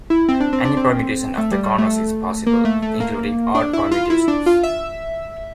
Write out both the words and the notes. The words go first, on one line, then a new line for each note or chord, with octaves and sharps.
Any permutation of the corners is possible, including odd permutations.
E4
C4
D4
C4
D4
C4
A3
G3
G3
A3
A#3
A3
A3
A#3
D4
E4
F4
E4
D4
F4
E5